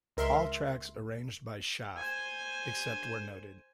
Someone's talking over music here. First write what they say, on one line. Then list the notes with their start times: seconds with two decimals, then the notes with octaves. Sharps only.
All tracks arranged by Schaft, except where noted.
0.17 C#2 A#4 E5 C6
1.97 C5 G#5